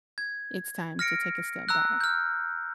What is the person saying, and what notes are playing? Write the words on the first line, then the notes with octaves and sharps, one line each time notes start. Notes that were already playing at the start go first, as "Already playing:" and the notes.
it's time to take a step back?
G#6
F6 A#6 C#7 D7
A#5 E6 F#6
F6 G6